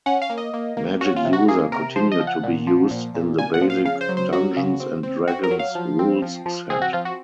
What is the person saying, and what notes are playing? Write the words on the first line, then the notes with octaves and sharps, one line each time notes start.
"Magic-User" continued to be used in the basic "Dungeons and Dragons" rules set.
C#4 F#5
F5
A#3
D#5
A#3
A#3
C#4 F#4
F4
C3
F#4
A#3 G#4
C3 A#4
F3 C5
D#5
F3
F#5
A#2
F3
A#2
A#2
A#2 G#5
F#5
F3
F5
C#3 F5
C5
F#3
C5
F#3 F#4
C#3
C4
C4
C4 F#4
A#4
F#3
F5
F3
C4
F3
F3
C4 G#4
F#4
F3 F4
F#4